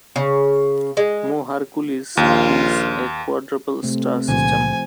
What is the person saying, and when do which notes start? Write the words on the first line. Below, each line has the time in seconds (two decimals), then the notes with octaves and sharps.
Mu Herculis is a quadruple star system.
0.16 C#3
0.97 G#3
2.17 A#1 D#2 F4
3.83 C3 A3 C4
4.28 C#2 A#2 D3 F3 C5 G#5